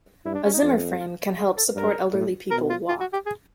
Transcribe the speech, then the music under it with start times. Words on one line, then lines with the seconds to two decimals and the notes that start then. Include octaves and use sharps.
A zimmer-frame can help support elderly people walk.
0.25 G2 E4
0.35 D4
0.44 C#4
0.53 D#4
0.62 F2 F4
1.00 F4
1.38 G#4
1.57 A4
1.75 G2 A#4
2.13 A2
2.51 B2 A#4
2.70 F4
2.89 F4
3.00 F#4
3.13 G4
3.26 G#4